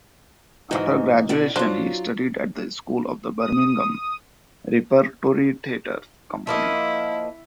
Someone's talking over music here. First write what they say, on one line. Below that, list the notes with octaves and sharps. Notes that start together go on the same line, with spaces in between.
After graduation he studied at the school of the Birmingham Repertory Theatre Company.
G#2 E3 D#4 F#4 A#4
B2 B3 D4
F#3 D4 F4 C5
D#6
F3 A#3 E4 D#5